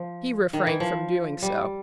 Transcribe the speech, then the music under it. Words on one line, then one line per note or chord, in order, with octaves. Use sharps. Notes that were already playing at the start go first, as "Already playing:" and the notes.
He refrained from doing so.
Already playing: F3
D#3
E3
F3
G3